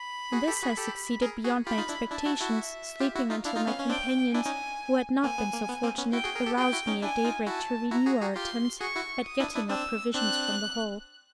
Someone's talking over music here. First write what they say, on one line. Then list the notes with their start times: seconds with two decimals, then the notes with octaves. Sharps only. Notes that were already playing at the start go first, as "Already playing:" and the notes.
In this I succeeded beyond my expectations, sleeping until my companions, who had not been so fortunate, aroused me at daybreak to renew our attempts at getting up provisions from the hull.
Already playing: B5
0.32 F#4 G#4
0.47 G4 A4
0.62 F#4 G#4
0.77 G4 A4
1.22 G#4 A#4
1.44 F#4 G#4
1.67 F4 G4 B5
1.78 D#4 F4
1.89 D4 E4
2.11 D4 E4 A5
2.26 E4 F#4
2.41 E4 F#4
2.56 E5
3.00 F4 G4
3.15 E4 F#4
3.30 D#4 F4
3.45 D4 E4 F5
3.56 D#4 F4
3.67 B3 C#4
3.80 C#4
3.90 C4 D4 G5
4.34 D4 E4 G#5
4.46 C#4 D#4
5.24 A#3 C4 G#5
5.38 B3
5.53 A#3
5.68 B3
5.83 A#3 C4
5.98 B3 C#4
6.13 E4 F#4 G5
6.24 F#4 G#4
6.35 G#4 A#4
6.46 G4 A4
6.57 F#4 G#4 G5
6.72 E4 F#4
6.87 C#4 D#4
7.02 D4 E4 G#5
7.24 D#4 F4
7.46 E4 F#4 A5
7.91 E4 F#4 A#5
8.06 F#4 G#4
8.21 F#4 G#4
8.36 F4 G4 C6
8.81 F#4 G#4 C#6
8.96 E4 F#4
9.25 D#6
9.40 D4 E4
9.55 D4 E4
9.69 C4 D4 E6
10.14 C4 D4 F#6